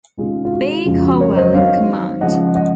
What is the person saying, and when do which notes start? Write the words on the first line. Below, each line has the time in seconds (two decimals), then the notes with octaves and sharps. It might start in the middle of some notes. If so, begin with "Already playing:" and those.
B. Colwell in command.
0.17 C3 D#3 G#3 C#4 F4 G#4
0.45 F4
0.53 F#4
0.85 F2 C#3 F3 G#3 F4
1.03 F#4
1.20 A#4 C#5
1.36 C5 D#5
1.54 D#3 F#3 C4 D#4 C#5 F5
2.21 C#3 F3 G#3 D#5 F#5
2.55 D#5 F#5